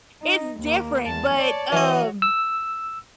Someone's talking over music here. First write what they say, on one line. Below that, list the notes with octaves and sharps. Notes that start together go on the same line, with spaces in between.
It's different, but, um
D#4
D#2 A#3
E2 A5
C#5 D5 A5
E3 F#4 C#5 D#5
E6